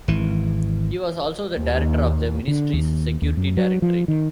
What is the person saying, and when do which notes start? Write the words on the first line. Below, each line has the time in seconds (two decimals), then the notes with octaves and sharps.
He was also the director of the ministry's security directorate.
0.08 G#1 E3
1.54 D#2
2.48 D3
2.73 D#2
3.22 D#2
3.37 F#2
3.57 F#3
3.82 F3
4.08 D#3